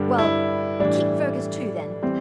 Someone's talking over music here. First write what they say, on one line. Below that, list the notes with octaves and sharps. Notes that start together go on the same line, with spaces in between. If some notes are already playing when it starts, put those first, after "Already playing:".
"Well, keep Fergus too, then."
Already playing: G2 D3 G3 D4
E4
A2 E3 G3 D4
E3 G3 C4